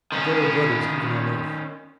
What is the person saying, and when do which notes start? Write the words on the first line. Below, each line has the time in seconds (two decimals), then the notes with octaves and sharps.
But there are brothers even on earth....
0.12 D#3 C#4